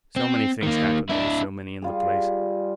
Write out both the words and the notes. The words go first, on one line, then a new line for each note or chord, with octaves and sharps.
So many things happened--there were so many in the place.
C4
D#3 A#3
D4 E4
G3 F4 G#4